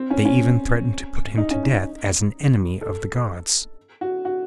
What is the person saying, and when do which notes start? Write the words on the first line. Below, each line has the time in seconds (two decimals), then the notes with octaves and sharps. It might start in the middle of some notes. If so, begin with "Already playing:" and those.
They even threatened to put him to death as an enemy of the gods.
Already playing: C4
0.10 C#4
0.25 C#4
1.37 D#4
1.50 C#4
1.64 D#4
2.81 A4
4.01 F#4
4.25 F#4